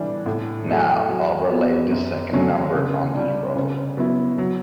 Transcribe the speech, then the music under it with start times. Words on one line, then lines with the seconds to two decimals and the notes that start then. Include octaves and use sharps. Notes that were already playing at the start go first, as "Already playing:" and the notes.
Now overlay the second number on this row.
Already playing: A2 E3 G3 D4
0.26 A2
0.68 F#3 A3
1.09 F#3
1.50 B3 F#4 C#5
1.91 F#2
2.33 D3 F#3 A3 C#4
2.74 C#3
3.14 G3 D4
3.56 C#3
3.97 F#3 B3 E4
4.38 F#3